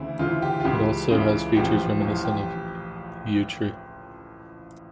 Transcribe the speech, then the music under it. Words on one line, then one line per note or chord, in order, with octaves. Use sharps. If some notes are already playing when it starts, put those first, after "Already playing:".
It also has features reminiscent of Euchre.
Already playing: D2 C#3 E3 E4
D2 C#3 E3 F4
G4
F4
C#2 C#3 E3 G4
C#2 C#3 E3
A1 A2 F3 G4
A1 A2 F3 F4
G4